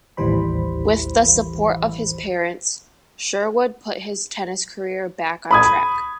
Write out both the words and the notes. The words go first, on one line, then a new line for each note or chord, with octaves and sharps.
With the support of his parents, Sherwood put his tennis career back on track.
A1 D#2 E3 G3 C5 B5
B5 D#6 G#6